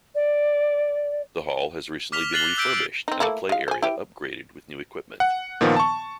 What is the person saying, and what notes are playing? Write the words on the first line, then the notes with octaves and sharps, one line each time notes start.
The Hall has recently been refurbished and the play area upgraded with new equipment.
D5
D6 F6 B6 F7 G7
F#6 A6 C7 F#7 G7
E6 G6 B6 D7
D7
C4 D#4
A3 A#3 E4
G#3 F5
C5 G#5
E4 G4
F#5
A#2 D#3 F3 B3
A5 C#6